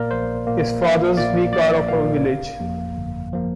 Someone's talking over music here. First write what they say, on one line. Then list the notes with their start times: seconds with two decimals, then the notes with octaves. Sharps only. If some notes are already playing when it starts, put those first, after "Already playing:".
His father's vicar of our village.
Already playing: A#1 A#2 A#3 A#4 D5 F5
0.11 A#1 C5
0.47 A#2 A#3
0.82 A#1 F5
1.17 A#2 A#3 D5
1.53 A#1 D5
1.89 A#2 A#3 F5
2.24 G1
2.60 F2 F3 A#3
2.96 G1
3.33 F3 A#3